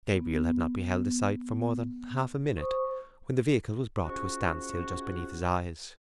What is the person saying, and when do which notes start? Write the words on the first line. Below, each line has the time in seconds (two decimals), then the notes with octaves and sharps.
Gabriel had not beheld the sight for more than half a minute, when the vehicle was brought to a standstill just beneath his eyes.
0.12 B3
2.56 C5 C#6 D#6
4.04 F3 G#3 C#4 F4 F#4